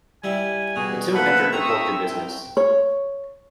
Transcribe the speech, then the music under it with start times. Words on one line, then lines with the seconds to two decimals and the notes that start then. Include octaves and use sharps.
It soon entered the poultry business.
0.24 G3 E4 G#5
0.76 B2 E3 G3 F#4 G#4
1.14 A#3 B4 C5 E5 F#5 A5 B5
1.53 C4 A#5 C#6 D#6 E6
2.01 C2 G5
2.57 C#5